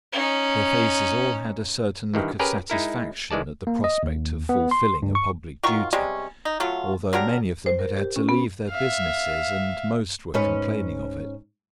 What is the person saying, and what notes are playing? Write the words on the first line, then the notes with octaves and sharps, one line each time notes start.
Their faces all had a certain look of satisfaction at the prospect of fulfilling a public duty, although many of them had had to leave their businesses, and most were complaining of it.
C#4 D#4
G2 D#3 E3
C#4 G4 G#4 A#4 B4
G#3 D#4 E4 A#4
D#3 E3 G#3 D5 A5
A#3
D#5
D#2
B3
C6
G2
C#6
D#3 F#3 F4 C#6
C3 G3 G#3 C#4
D#4
F#3 A3 F4
D3 F#3 G4 A#4
C5
A#4
G4
C#4
B3
E5 F5
G#2 C#4 B4